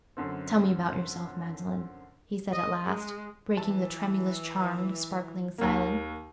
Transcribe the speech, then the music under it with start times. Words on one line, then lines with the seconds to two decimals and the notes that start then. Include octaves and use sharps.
"Tell me about yourself, Magdalen," he said at last, breaking the tremulous, charmed, sparkling silence.
0.17 F#2 D3 C4
2.52 D#5
2.85 G#3
3.57 E3 A5
5.58 D#2 A#3